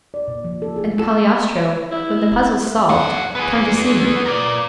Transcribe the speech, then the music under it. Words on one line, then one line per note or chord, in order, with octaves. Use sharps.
'And, Cagliostro, when the puzzle's solved, come to see me.
D5
A#2
F3
A4
G#4
A4
E4
G2 F#5
B3 G#4
A#4 D5